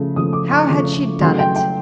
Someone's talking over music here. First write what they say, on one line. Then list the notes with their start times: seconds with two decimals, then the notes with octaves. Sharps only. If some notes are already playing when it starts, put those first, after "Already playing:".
How had she done it?
Already playing: C#3 F3 A3
0.16 C#3 F3 A3 D#6
0.33 D6
0.51 C#6
0.69 C#3 F3 A3
1.21 C#3 F#3 A3 C6
1.39 G5
1.56 G5